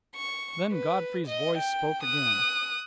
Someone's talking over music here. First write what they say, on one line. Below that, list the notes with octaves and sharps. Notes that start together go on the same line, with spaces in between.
Then Godfrey's voice spoke again.
C#6
B4
D#5
G5
D#6 F#6